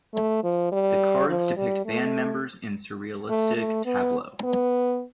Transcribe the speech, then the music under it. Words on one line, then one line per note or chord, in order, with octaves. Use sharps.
The cards depict band members in surrealistic tableau.
A3
F3
G3
F3
G3
A3
A3
A3
B3
B3